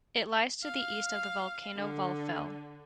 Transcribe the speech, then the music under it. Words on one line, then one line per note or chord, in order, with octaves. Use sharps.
It lies to the east of the volcano "Hvalfell".
F5
D3